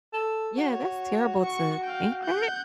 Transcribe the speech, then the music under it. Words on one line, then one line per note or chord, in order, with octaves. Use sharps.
Yeah, that's terrible to think that.
A4
F#4 C#5
C#6 C#7
F5 G5
F#5 G6